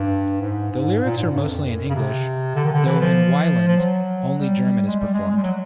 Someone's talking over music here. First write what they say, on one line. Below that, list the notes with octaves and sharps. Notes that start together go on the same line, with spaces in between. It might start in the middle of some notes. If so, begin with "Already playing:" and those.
The lyrics are mostly in English, though in "Weiland" only German is performed.
Already playing: G2
G#2
G#2
A#2
G#2
G2
F#2
F2
F#2
C#3
C3
D3
D#3
D3
E3
F3
F3
F#3
G3
G#3
G3
G#3
G#3
G3
F#3